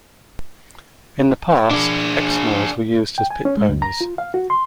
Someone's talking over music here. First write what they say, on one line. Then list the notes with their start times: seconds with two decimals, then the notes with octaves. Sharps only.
In the past, Exmoors were used as pit ponies.
1.71 D4 G#4
3.18 G5
3.31 G#5
3.45 C#4
3.57 G#3
3.69 D2
3.82 A#5
4.01 F4
4.18 F5
4.34 F#4
4.50 C6